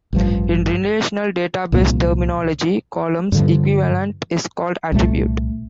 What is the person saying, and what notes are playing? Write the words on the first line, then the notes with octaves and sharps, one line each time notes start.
In relational database terminology, column's equivalent is called attribute.
A1 G2 F3
C2 A#2 F3 A#3
G2 D3 F3
C2 A#2 F3 A3